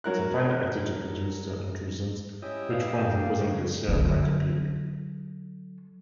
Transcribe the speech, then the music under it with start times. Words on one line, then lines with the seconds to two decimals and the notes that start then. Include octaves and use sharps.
The final activity produced the intrusions which form the present-day Sierra Blanca Peak.
0.04 F#3 A#4 F#6
2.42 C#4 E4 G4 D#5
2.69 G2 D5 F5 G5
3.01 A#3 D4
3.39 C#3
3.88 D3 F#3